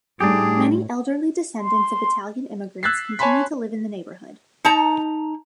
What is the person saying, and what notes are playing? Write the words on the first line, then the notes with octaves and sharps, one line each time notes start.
Many elderly descendants of Italian immigrants continue to live in the neighborhood.
A2 G3 D4 D#4 G4 G#4
C6
E6 F#6 G#6 A6 B6 C7
C#5 G#5 A5 B5 C6 B6
D#4 A5 A#5